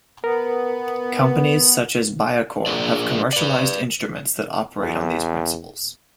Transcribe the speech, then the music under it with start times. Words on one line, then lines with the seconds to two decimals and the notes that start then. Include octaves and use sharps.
Companies such as Biacore have commercialized instruments that operate on these principles.
0.24 B3 A#4
2.66 A#3 D4 F4 G#4 A#4 D5
3.33 B4 D5
4.79 E2